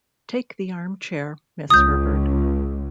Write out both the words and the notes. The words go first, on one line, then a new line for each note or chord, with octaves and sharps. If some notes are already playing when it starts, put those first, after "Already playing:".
Take the armchair, Miss Herbert.
C#2 D#6 G6